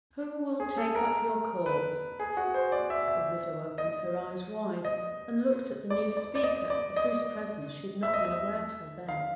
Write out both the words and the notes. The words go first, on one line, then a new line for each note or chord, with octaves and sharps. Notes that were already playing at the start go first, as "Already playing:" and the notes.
Who will take up your cause?' The widow opened her eyes wide, and looked at the new speaker, of whose presence she had not been aware till then.
G#4
A4
A#4
B4
G#4
F#4
C5
D5
E5
E5
D#5
D#5
D5
D5
D5
D#5
D5
D#5
E5
D#5
E5
F5